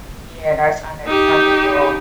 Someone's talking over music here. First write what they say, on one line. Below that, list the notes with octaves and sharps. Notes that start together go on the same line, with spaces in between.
Yeah, that's unacceptable.
D#4 G4